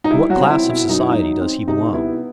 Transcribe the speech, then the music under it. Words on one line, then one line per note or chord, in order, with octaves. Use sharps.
"To what class of society does he belong?"
D#4
G3 E4
F#3 F#4
C4
E4
B2
E4
F#2 D#4
E4
F#3 D#4
C4
C3 D#4
B3 E4